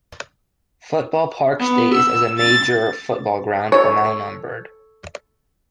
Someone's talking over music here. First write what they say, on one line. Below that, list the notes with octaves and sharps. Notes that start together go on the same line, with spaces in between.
Football Park's days as a major football ground are now numbered.
B3
E6
A6
A4 C#5